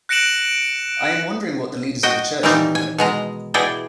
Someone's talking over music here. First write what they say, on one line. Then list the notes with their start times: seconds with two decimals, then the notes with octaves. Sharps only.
I am wondering what the leaders of the Church think of it.
0.09 F#6 A#6 C#7 D7 E7 F#7
2.03 F#4 D#5 G5
2.43 A#2 D#3 E3 G3 C4 D#4
2.75 G#5
2.98 B2 G#3 A#5
3.54 B2 E4 G#4 D5 G5